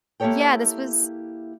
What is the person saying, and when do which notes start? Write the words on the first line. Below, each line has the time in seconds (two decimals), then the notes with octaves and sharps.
Yeah, this was
0.20 A#3 E4 G4 A4 C#5 G5